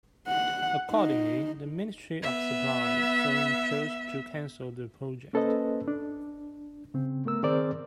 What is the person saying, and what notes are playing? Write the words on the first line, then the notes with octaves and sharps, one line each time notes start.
Accordingly, the Ministry of Supply soon chose to cancel the project.
F#5
D#4
B3 E5
A#3 C#4 A4 B4 C5 D#5
D4
C#3 C4
A3 B3 A#4 E6
D#3 C4 G#4 A#4 C5 D5